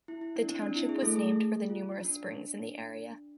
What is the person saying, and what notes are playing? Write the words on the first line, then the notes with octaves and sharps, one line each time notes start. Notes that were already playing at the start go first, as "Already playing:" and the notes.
The township was named for the numerous springs in the area.
E4
E4
D4
C4
D4
E4
G#4
A3 A4
G#4
F4
D4